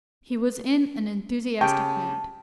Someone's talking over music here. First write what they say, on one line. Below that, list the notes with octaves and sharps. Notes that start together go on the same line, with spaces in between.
He was in an enthusiastic mood.
C#3 G4 G5 A5 C#6